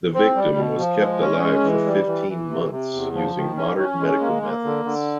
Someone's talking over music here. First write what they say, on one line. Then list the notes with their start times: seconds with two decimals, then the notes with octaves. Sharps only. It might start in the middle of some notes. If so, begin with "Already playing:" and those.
The victim was kept alive for fifteen months using modern medical methods.
0.14 C4
0.36 G3
0.57 B2
0.79 F3
1.00 G#3
1.21 C#4
1.42 G#3
1.64 E3
1.86 G3
2.07 E3
2.28 E3
2.50 C3
2.71 C3
2.93 E2
3.14 F3
3.36 D#3
3.57 C#4
3.78 C#4
4.00 G#3
4.21 A#3
4.43 A#3
4.65 D3
4.85 D3